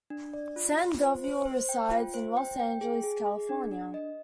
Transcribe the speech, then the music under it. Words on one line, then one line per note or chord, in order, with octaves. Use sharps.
Sandoval resides in Los Angeles, California.
D4
D5
F4
F4
C5
C5
C5
G5
F4
C5
G5
G5
G#4
G#4
G#4
D4
D4
D#5